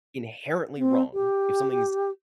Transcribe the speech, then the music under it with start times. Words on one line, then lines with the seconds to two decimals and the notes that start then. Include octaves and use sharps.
inherently wrong, if something's
0.78 C4
1.13 G4